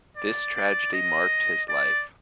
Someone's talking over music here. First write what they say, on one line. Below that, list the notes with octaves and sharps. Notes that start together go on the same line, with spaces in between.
This tragedy marked his life.
D5
D5
D#5
D5